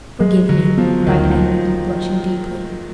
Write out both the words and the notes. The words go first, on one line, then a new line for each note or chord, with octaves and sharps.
"Forgive me!" cried Edmond, blushing deeply.
F#3 G#3
D3 F#3
F3 B3
D2 D#3
F3
F#3